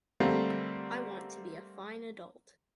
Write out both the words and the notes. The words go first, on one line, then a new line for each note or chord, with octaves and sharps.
I want to be a fine adult.
D3 G3 A3 A#3 C4